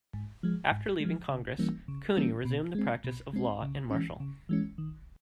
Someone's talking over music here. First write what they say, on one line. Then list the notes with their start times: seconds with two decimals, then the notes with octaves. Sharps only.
After leaving Congress, Cooney resumed the practice of law in Marshall.
0.14 G#2
0.43 F3 G#3
0.71 G#2
1.00 F3 G#3
1.29 C#3
1.58 E3 G3 A#3 C#4
1.88 C#3
2.17 E3 G3 A#3 C#4
2.45 B2
2.75 G#3 C4
3.04 B2
3.33 G#3 C4
3.62 C#3
3.90 E3 G#3 C#4
4.20 C#3
4.49 E3 G#3 C#4
4.78 D#3